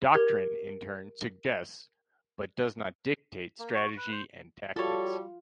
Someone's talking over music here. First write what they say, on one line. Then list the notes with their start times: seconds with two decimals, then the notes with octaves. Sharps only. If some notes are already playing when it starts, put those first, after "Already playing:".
Doctrine, in turn, suggests but does not dictate strategy and tactics.
0.14 G4 A#4 G#6
3.59 A#3
3.75 F#4
3.97 B4
4.12 C5
4.76 G3 F4 F#4 A4 C#5